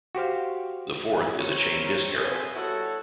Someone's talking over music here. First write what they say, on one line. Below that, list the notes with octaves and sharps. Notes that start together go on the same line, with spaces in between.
The fourth is a chain disk harrow.
F#4 G4 C5 F5
G3 C4 E4 A#4 C#5
B3 C4 G#4 C#5 E5 D#6
G3 E4 F#4 A4 C#5